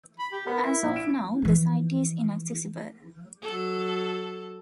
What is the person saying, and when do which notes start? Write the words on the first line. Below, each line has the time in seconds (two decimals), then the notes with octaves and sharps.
As of now, the site is inaccessible.
0.19 B5
0.32 G4
0.46 B3 A#4 B4 B5
0.64 E4
0.83 A#1
0.96 D7 E7
1.42 E3 F3
3.43 F#3 A4